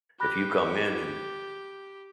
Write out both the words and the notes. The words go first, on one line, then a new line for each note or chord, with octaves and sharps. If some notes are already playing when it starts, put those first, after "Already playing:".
if you come in and
G4 B5 F#6 A#6